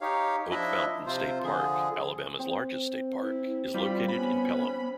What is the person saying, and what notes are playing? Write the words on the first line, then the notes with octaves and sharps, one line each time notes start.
Oak Mountain State Park, Alabama's largest state park, is located in Pelham.
D#4 G4 C#5 F5
F3 D4 E4 D#5 E5
C3 F4 C5
D3 F3 G#4
C4
E4
G3 F4 B5
B3 C#4 B5